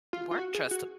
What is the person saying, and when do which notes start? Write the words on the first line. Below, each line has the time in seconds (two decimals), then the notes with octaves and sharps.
weren't trusta
0.13 F4
0.31 F4
0.38 F#4
0.55 G#4
0.71 F#4